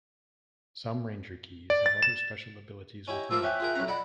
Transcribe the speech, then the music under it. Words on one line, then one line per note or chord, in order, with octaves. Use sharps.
Some Ranger Keys have other special abilities within them.
D5
A6
E7
C#4 E4 G4 D#5
F3 F4 A#4 E5 F5 D6 E6
C#4 E5 G5 F#6
F4 G#4 A#4
B1 C#4 A#5
D5 D#5 F#5 B5